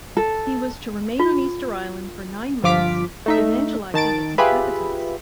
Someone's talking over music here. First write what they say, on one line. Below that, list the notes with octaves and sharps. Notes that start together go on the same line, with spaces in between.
He was to remain on Easter Island for nine months, evangelizing its inhabitants.
A4
F4
G1 F3 F4 D6 F6 B6
A3 D#4 E5
D#3 A5 A6 D7
F4 G4 G#4 B4 E5 B5